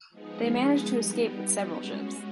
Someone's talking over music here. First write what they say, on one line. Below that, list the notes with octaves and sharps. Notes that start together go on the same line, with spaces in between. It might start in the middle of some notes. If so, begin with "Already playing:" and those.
They manage to escape with several ships.
F3 G#3 B3 D#4 G#4
G3 B3 D#4 G4
G#3 C#4 F#4